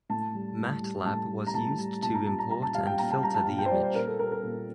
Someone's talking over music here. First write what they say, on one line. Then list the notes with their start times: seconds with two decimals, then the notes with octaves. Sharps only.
Matlab was used to import and filter the image.
0.09 A2 A5
0.34 G3
0.58 A2
0.82 G3
1.06 A2 A5
1.30 G3
1.47 A#5
1.54 A2 A5
1.78 G3
2.02 A#2 A5
2.14 A#5
2.26 G3 A5
2.39 A#5
2.50 A#2 A#5
2.62 A5
2.75 G3 F5
2.87 G5
2.98 A#2 A#5
3.11 A5
3.23 G3 A#5
3.34 A5
3.47 A#2 A5
3.59 G5
3.66 C5
3.71 G3 D5
3.83 C5
3.95 A#2 A#4
4.07 A4
4.19 G3 A#4
4.32 A#4
4.43 A#2